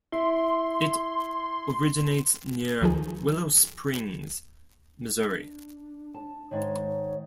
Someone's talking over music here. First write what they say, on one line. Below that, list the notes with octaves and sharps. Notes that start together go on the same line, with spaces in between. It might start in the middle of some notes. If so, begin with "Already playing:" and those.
It originates near Willow Springs, Missouri.
E4 C6
D2 D#3 F3 G#4
D4
A5
G#2 D#3 C#5